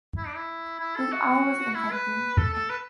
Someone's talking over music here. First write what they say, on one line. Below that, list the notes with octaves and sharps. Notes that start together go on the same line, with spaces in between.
His eye was infected.
E4
D4
E4
E4
A4
F#4
E4
B4
A4
A4
B4